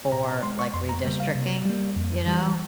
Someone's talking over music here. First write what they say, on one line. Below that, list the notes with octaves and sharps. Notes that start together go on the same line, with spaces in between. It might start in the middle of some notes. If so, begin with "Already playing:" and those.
for, like, redistricting, you know,
A#2 A#5
A#5
G#3 C6
C#6
F2 C6
A#5
C#3 G3 A#3
F5
C3
G3 A#3
F2
E3 G3